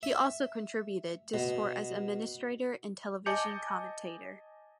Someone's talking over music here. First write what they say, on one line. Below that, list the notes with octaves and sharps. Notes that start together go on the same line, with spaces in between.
He also contributed to sport as administrator and television commentator.
E5
B2
D#5 G#5 A5 D6 G6 C#7